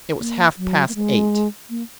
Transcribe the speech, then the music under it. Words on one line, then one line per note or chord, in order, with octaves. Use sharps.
It was half-past eight.
A#3
F#3
A#3
G#3
A#3